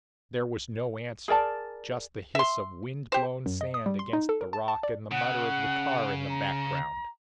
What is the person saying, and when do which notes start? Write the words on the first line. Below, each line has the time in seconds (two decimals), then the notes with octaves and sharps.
There was no answer--just the hiss of wind-blown sand against the rock and the mutter of the car in the background.
1.28 G#4 A#4 D5 A5
2.35 E5 C6
3.12 G4 C5
3.46 F#2
3.61 D#5
3.74 D#6
3.86 G3
3.99 C6
4.13 D#4
4.29 A4
4.41 A#4
4.53 A5
4.68 A5
4.83 D5
5.11 C#3 F#5
6.30 A#5